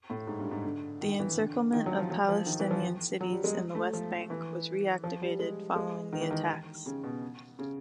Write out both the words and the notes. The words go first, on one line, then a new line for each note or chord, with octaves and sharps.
The encirclement of Palestinian cities in the West Bank was reactivated following the attacks.
A2
G#2
G2
G#2
D3
D#3
E3
D3
D#3
F#3
F3
F#3
F3
D#3
E3
F3
F#3
G3
G#3
A3
F3
E3
F3
G3
G#3
G#3
D#3
E3
D#3
C#3
B2
C#3